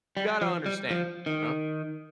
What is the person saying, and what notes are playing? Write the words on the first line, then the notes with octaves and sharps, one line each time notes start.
you gotta understand," you know?
G3
F3
G3
F3
D#3